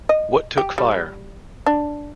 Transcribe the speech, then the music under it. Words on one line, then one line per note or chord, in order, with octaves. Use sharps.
What took fire?
D#5
G4
G3
D4